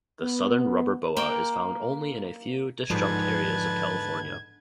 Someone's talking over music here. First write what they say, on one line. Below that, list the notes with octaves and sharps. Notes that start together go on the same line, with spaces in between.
The southern rubber boa is found only in a few disjunct areas of California.
B3
A#3 G5
E2 G#2 D3 F3 B4 A5 G#6